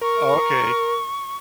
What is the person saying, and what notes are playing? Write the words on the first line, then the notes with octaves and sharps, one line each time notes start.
Oh, okay.
A#4 C#6